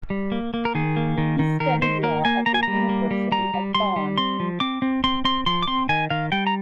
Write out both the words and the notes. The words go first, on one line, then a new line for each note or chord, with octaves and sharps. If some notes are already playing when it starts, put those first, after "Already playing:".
He studied law at the University of Bonn.
G3
A#3
A#3
A#4
D#3 G#4
A#3
D#3
D#3
D#3 A#4
D#3 C5
A#3 A#4
A#3 G#5
A#3 A#5
G#5
G3 A#5
A#3
G3
G3 A#5
G3
G3 C6
G3
C4 C6
F3
C4 D6
C4
C4 C6
C4 C6
F3 C6
D6
C4 C6
D#3 G#5
D#3 F5
G3 G5
A#5